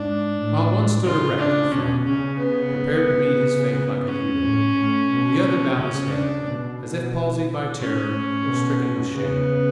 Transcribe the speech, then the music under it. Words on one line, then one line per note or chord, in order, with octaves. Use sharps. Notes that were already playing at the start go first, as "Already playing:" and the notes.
While one stood erect and firm, prepared to meet his fate like a hero, the other bowed his head, as if palsied by terror or stricken with shame.
Already playing: G#2 D4
A2
C#3 F4
D4
B2 C#4
C#3 C#4
B3
C#3
B3
C#4
A2
A2
B2
C#3 C#4
D4
B2
A2 C#4
B2
C#3 B3